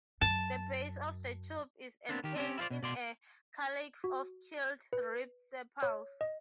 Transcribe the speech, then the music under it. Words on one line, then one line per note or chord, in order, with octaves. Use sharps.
The base of the tube is encased in a calyx of keeled, ribbed sepals.
F#2 A5
B3 C4 D4
D#3 G4
C4 C#4 G4
E4 F4 G#4 C5 D5
B2
B2 D5 C6
F#4
B4
C#5
D#5